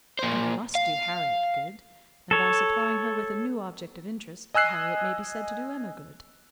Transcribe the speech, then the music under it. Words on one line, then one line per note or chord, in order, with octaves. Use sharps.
Emma must do Harriet good: and by supplying her with a new object of interest, Harriet may be said to do Emma good.
A#2 C5
F5
A4 C#5
D#5 G#5 E6 F#6 C7